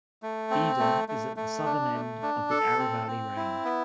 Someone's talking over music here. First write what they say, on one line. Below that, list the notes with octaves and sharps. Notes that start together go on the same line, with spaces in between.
Idar is at the southern end of the Aravalli Range.
A3
C4
A3
A3
A3
D4
A3
D4
A4
C4
C4
E4
B3